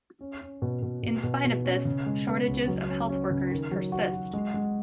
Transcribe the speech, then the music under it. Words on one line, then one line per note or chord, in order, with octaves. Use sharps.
In spite of this, shortages of health workers persist.
C#4
C#4
B2
B2
B2
B2
B2
C#4
C#3
G#3
B3
C#2
F#3
C#4
C#4
C#3
D#3
F#3
F#4
F#4
G#3
G#3